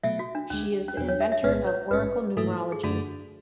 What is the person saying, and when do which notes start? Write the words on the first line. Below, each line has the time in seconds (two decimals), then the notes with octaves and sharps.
She is the inventor of Oracle Numerology.
0.03 B2 F#3 A3 E5
0.19 F#4
0.35 D4
0.50 D2 D3 G#3 C#4
0.88 C#4
0.97 E2 B2 F#3 B3 D4
1.09 C#5
1.20 E5
1.32 E5
1.43 B1 A2 G#3 B3 B4
1.67 C#5
1.91 A1 G#2 G#3 C#4 B4
2.37 G#2 E3 A3 E4 A4
2.72 G#4
2.83 F#2 D3 A3 D4 F#4